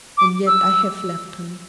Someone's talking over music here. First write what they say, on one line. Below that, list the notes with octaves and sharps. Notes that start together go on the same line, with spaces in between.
And yet I have left him.
D6
E6